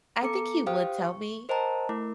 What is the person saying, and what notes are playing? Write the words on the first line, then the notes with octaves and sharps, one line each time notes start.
I think he would tell me.
B3 A4 A#5 D6 C#7
G4 C5 F5 G5 D#6 F6
C#6
A#4 C5 D#5 G5 A5 A#5
A3 E4 A#4